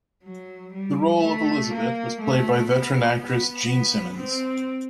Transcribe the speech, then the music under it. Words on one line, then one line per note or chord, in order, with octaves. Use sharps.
The role of Elizabeth was played by veteran actress Jean Simmons.
F#3
G3
A3
A#3
A3
B3
B3
B3
C4